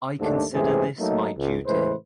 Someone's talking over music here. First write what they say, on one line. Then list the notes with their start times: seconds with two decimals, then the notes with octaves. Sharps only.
I consider this my duty.
0.20 D#2 G#2 A3 D4
0.53 G#2 C3 E3 A3 C#4 G#4
0.99 F#3 A3 A#3 D#4
1.37 C#2
1.67 A2 C#3 E3 G#3 B4 C5